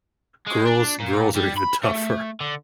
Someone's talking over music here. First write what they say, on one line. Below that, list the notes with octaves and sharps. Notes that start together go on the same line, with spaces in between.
girls girls are even tougher.
G#3
D4
A#2
G3
B5
A3
D3